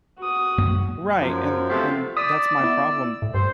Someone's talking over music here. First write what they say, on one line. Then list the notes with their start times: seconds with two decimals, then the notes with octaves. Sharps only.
Right, and and that's my problem.
0.18 F#4 D#6
0.58 F#2 A#3
1.19 F#2 F3
1.70 C3 F3 A3 B3 C4
2.17 D5 D#6 E6 B6
2.60 B3 E4
3.22 A2
3.34 G2 C5